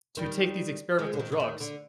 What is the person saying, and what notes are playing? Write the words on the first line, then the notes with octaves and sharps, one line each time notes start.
to take these experimental drugs,
D#3 G3
F3 G#3
D3
D#3
D3
D#3
D3